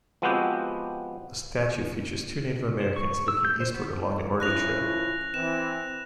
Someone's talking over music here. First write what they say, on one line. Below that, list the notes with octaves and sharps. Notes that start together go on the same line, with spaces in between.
The statue features two Native Americans looking eastward along the Oregon Trail.
F3 G#3 B3 C4 F#4 G4
C5
C#6
E6
G6
C5
B3
F3 C#4 E4 F#6 A#6 F7
E3 C4 E7